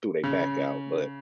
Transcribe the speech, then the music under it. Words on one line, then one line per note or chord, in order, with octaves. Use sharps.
threw they back out, but,
C#3